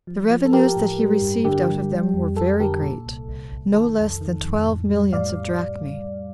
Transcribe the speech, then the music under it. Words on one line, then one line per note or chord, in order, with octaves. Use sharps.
The revenues that he received out of them were very great, no less than twelve millions of drachme.
F3
F3
A4
F3 G4 A#4
A2
G3
G2
D3 G4
G3
G3
F2
F2 A4
D3 G4 A#4
A#2 A4
C2
C2
C2
D#3 A4
F2
D#3
F2
A2
G3
A2 D5 F5